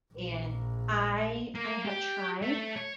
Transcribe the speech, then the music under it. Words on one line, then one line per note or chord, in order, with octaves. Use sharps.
And I I have tried,
A#1
A#3
G4
A3
C#5